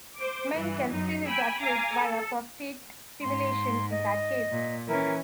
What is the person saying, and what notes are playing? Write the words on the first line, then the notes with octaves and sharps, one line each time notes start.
Men can still ejaculate via prostate stimulation in that case.
C5 D6
G2 E3
F#2 D#4
G5 G#5 B5 E6
F5 G#5 A#5 D6
A4
G#2 C6
D#5
A#2
E3 C#4 A#4